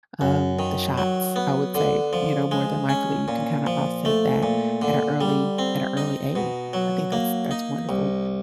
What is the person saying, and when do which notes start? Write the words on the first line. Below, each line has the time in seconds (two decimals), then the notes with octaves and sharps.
um, the shots, I would say. You know, more than likely, you can kinda offset that at a early at a early age. I think that's that's wonderful.
0.21 F#2
0.59 D#3
0.98 F#3
1.36 B3
1.75 D3
2.13 F3
2.51 G#3
2.89 C#4
3.28 A#2
3.67 F3
4.05 A3
4.43 A#2
4.82 D3
5.21 G3
5.59 C4
5.97 D#4
6.36 B2
6.73 F#3
7.12 A#3
7.51 D#4
7.89 C2